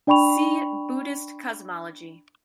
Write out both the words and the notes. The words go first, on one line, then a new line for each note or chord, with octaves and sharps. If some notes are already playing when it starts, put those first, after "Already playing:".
See "Buddhist cosmology".
D4 D5 G5 B5 C#6 F7